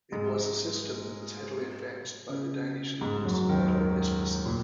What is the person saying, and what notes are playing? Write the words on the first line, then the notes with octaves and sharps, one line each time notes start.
It was a system that was heavily advanced by the Danish Linguist Otto Jespersen.
G#2 G#3
C#3
G#2 G#3
F#2 F#3
D#2 D#3
A#2